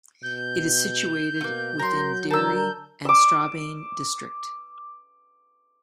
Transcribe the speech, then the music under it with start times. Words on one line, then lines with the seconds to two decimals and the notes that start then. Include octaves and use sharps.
It is situated within Derry and Strabane district.
0.23 B2 G6
1.41 B2 A3 A#3
1.79 F#3 A#4 C6
2.30 D3 A#4 A5 E6 G6
3.05 D6 E6